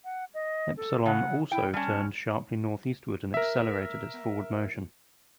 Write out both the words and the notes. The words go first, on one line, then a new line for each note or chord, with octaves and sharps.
Epsilon also turned sharply northeastward and accelerated its forward motion.
F#5
D#5
A4
C#3 F#5
E4 G5
G3 C#4 A5
A#4 E5